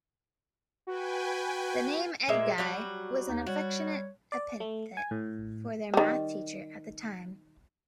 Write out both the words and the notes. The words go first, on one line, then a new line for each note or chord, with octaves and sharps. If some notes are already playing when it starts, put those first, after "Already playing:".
The name "Edguy" was an affectionate epithet for their math teacher at the time.
F#4 B4 G5 G#5
A#2 G#3 E5
F#3 G3 F#4
D#2 A#3 D#4
G3 F#4 C#5
D5
A3
G#5
A2
D#3 G3